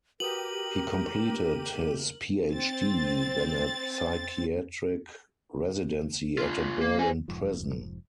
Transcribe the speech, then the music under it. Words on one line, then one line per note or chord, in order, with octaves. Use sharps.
He completed his PhD, then a psychiatric residency at a Berlin prison.
F#4 G4 A#4 B4 D#6 D#7 F#7
C4 A6
D4 F4
A#3
C5 G#5
F1 F2 G#2 F3